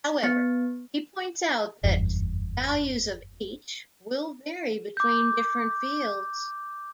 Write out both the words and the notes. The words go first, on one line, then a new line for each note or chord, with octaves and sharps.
However, he points out that values of h will vary between different fields.
B3
F#1 E2 G2
D6 G6